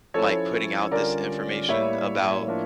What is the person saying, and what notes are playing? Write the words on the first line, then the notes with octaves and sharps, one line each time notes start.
like, putting out this information about
F3 C#4 E4 A4 C#5
D3 G3 C#4 F4 A#4 D5
A2 G3 A#3 E4 C#5 E5
A2 F3 A#3 D4 F4